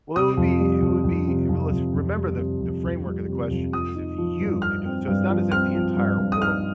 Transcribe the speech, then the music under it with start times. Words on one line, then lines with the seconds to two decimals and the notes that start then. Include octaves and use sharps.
Well, it would be it would be It really was Remember the the framework of the question is if you could do it. So it's not as if the entire world
0.16 C3 D#6
0.37 F2
0.60 G3
0.82 F2
1.04 F2
1.28 C3
1.49 F2
1.71 F2
1.94 F2
2.17 G3
2.38 C3
2.61 F2
2.84 F2
3.06 G3
3.29 C3
3.51 F2
3.72 F3 D#6
3.95 D#4
4.18 F3
4.40 G2
4.62 F3 F6
4.85 C4
5.08 G2
5.30 F3
5.51 C4 F6
5.74 F3
5.96 G2
6.18 G2
6.32 D#6
6.41 D#4 F6